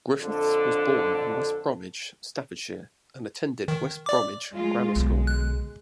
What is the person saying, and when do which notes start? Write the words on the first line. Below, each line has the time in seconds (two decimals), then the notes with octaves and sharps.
Griffiths was born in West Bromwich, Staffordshire, and attended West Bromwich Grammar School.
0.21 F2 D3 D4 A4
3.68 D#3
4.06 D5 D6
4.52 G#3 F4
4.96 B1 D3 G#3
5.27 F#6